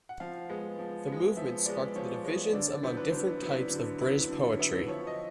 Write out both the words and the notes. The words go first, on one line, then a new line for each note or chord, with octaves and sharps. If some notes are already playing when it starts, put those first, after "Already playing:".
The Movement sparked the divisions among different types of British poetry.
F#5
F3 F5
G#3 B3
F3
G#3 B3
F3 E5
G#3 B3 D5
F3 C#5
G#3 B3 C#5
D3 D5
D5
F#3 B3 E4 C5
B4
D3 C5
F#3 B3 E4
D3
F#3 B3 E4
D3
F#3 B3 E4
F3 C#5
D#5